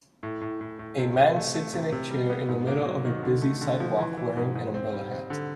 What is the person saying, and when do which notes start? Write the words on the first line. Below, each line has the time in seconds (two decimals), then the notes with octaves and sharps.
A man sits in a chair in the middle of a busy sidewalk wearing an umbrella hat.
0.23 A2
0.41 A2
0.61 A2
0.79 A2
0.98 C3
1.17 C3
1.36 A3
1.54 A3
1.74 C3
1.92 C3
2.11 G3
2.30 B3
2.48 G#2
2.67 A#3
2.86 F#3
3.05 D#3
3.23 D3
3.42 A3
3.61 D3
3.80 F3
3.98 E3
4.17 E3
4.37 G#2
4.55 G#2
4.74 C4
4.93 G3
5.12 C4
5.30 D3